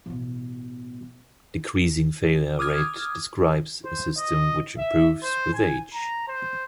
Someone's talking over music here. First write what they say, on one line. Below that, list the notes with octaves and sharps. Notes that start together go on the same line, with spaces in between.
Decreasing failure rate describes a system which improves with age.
A1 B2
D6 D#6 F6 G#6
C5
D#5
E5
C5
G#5
A#5
C5